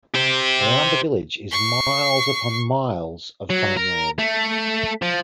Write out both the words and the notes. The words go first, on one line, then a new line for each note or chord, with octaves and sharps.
Around the village is miles upon miles of farm land.
G4 C5
C#6 C7
F#3
A#4
A3
F3